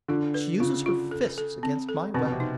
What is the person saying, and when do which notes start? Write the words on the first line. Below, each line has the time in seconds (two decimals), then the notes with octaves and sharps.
She uses her fists against my weapon.
0.08 D3 F4
0.34 B4
0.60 C#3 F4
0.86 F4
1.11 A4
1.38 A4
1.63 C4
1.89 A4
2.14 B2 C4
2.25 B2
2.32 C3
2.40 D#4